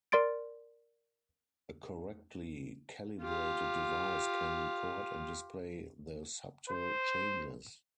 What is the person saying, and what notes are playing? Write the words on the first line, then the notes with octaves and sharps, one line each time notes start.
A correctly calibrated device can record and display the subtle changes.
A#4 D5 C6 A6 D7
F4 G4
C5